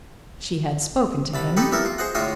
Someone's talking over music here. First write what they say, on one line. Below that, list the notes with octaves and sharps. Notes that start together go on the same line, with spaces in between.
She had spoken to him.
C2 A5 B5
B3 D#4 G4 A4 B4 F#5
G3 B3 E4 A4 A#4
F4
G#4 C5 D#5 F#5
A2 D3 G#3 F4 C#5 D#5